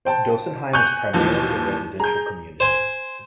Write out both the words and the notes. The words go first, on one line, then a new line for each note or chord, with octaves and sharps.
Dossenheim is primarily a residential community.
C5 G5 A5
G#5 C#6 F#6 G6 F7
D#2 E3 F3
G#4 A#5 G6
C5 G#5